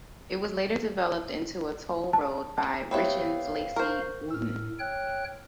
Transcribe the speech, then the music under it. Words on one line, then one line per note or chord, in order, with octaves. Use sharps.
It was later developed into a toll road by Richens Lacey Wootton.
A5
A5
A3 B3 C4 G4 C#5 F5 B5
A#4 C5 C#6
A2 E6 F6
C#5 G5 F#6